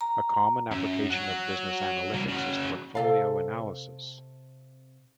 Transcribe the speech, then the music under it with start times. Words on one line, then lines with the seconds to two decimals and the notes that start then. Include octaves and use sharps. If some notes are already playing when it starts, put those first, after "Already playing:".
A common application of business analytics is portfolio analysis.
0.01 A#5
0.71 F#2
1.10 F#3 F#4
2.14 C2 A#3
2.28 C#3 F#3
2.95 C3 A4 F5